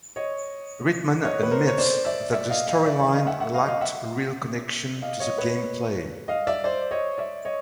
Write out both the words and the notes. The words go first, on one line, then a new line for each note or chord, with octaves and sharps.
Ritman admits that the storyline lacked real connection to the gameplay.
C#5 D#5
C#5 D#5
B4
A#4 C5
C#5
C5 D5
D5 E5
D5 E5
D#5 F5
D#5 F5
D5 E5
D5 E5
D#5 F5
E5 F#5
E5 F#5
D#5 F5
D#5 F5
E5 F#5
D#5 F5
C#5 D#5
B4 C#5
D#5 F5
D5 E5
C5 D5
C#5 D#5
D5 E5
C#5 D#5